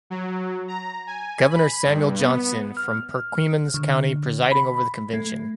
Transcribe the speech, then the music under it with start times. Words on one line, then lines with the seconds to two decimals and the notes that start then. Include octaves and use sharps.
Governor Samuel Johnston from Perquimans County presiding over the convention.
0.10 F#3
0.68 A#5
1.07 G#5
1.50 B5
1.86 G2
2.19 B3
2.77 F6
3.74 D3
4.52 B5
5.13 A3